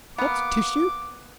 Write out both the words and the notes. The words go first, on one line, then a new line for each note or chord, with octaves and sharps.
"What's tissue?"
A#3 B3 D6